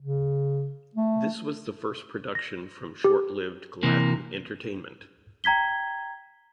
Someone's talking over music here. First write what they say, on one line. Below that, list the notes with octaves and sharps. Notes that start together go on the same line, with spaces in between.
This was the first production from short-lived Gladden Entertainment.
C#3
A3
A#6
G4
C3 E3 A#3
G5 A#5 G#6 B6 G7